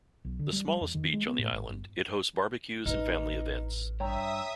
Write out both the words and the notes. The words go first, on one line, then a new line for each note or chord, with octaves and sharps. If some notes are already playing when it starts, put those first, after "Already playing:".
The smallest beach on the island, it hosts barbecues and family events.
B1
D3
G3
G3
E2
D#3
G#3
B3
A2
G#1
G1
A1 D#4 B4 F6
G2 C#5 E5 G5 A#5 D#6